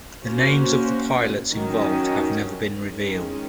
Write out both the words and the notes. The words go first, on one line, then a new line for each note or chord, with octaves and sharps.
The names of the pilots involved have never been revealed.
A#3 C#4 F#4 C5
D#3 F#3 C#4
D#3 G#3 C#4